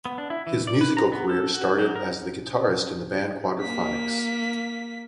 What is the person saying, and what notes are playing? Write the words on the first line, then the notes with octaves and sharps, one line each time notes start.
His musical career started of as the guitarist in the band Quadraphonics.
B3
D4
E4
E3
D5
B4
A#5
B3
A4
F#4
F#3
A#4
A#3 B6